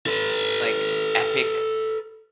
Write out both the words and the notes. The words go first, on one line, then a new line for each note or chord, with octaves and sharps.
like, epic
A4 B4